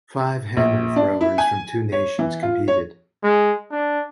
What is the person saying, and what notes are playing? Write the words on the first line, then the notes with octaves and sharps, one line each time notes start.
Five hammer throwers from two nations competed.
A#1
D4
E4
G#5
C#5
E3
F4
C#5
G#3
D4